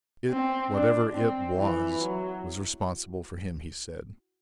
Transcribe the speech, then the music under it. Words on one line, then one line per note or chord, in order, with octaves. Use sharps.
It--whatever it was--was responsible for him, he said.
C4
D4
C4
E3
F#3